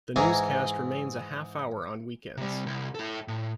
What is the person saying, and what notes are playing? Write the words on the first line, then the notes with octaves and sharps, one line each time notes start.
The newscast remains a half-hour on weekends.
G#2 E3 G#3 G#5 A#5
C3 G3
C2
E4 A4
A2